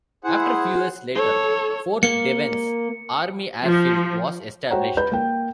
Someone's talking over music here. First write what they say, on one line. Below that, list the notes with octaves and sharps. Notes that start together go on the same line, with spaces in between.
A few years later, Fort Devens Army Airfield was established.
E4 G#4 C5 F#5
A4 C#5
A#3 C#7
F3
F#4 C5 C#5 F#5 G5 A#5
B4 G6
A#3 G5